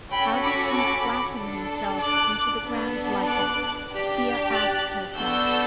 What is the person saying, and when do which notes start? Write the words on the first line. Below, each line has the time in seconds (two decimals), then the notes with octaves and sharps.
"How does he flatten himself into the ground like that?" Thea asked herself.
0.11 C#4 F#4 A4 G5 B5
0.42 B5 D6
0.74 B5 D6
1.37 D4 A4
2.00 D6 F#6
2.63 B3 D4 A4
3.26 D6 F#6
3.89 D4 G4
4.52 F#6 A6
5.15 B3 D4 F#4 A4 E6 G6